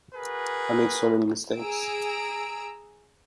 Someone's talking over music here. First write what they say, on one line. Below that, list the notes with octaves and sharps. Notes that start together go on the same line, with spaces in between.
I make so many mistakes.
F#4 G#4 A#4 B4
G#4 A#5 E6 D7